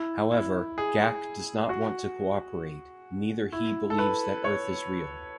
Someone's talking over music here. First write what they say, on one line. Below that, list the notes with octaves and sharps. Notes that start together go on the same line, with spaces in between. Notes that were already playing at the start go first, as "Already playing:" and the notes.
However, Gack does not want to cooperate, neither he believes that Earth is real.
Already playing: E4
E4
G#4
F#4
E4
A4
B4
C#5